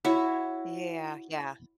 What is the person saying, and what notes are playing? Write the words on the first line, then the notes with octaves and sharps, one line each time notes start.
Yeah, yeah.
E4 F#4 C#5 E5